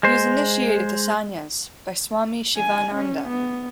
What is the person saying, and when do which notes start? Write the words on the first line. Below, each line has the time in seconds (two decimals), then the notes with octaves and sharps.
He was initiated to sanyas by Swami Shivananda.
0.03 G#3 C5
2.57 G#5
2.96 C#4
3.29 B3